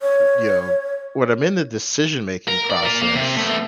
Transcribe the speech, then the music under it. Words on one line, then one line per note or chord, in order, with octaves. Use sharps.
you know, when I'm in the decision-making process
C#5
A#4
D5
F4 A#4
A#3
C3
A3 B3